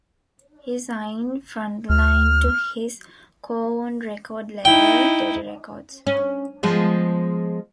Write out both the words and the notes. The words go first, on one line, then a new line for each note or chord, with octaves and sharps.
He signed Frontline to his co-owned record label, Dirty Records.
D2 F6
D#4 E4 G5
C#4
F3 G#3 B3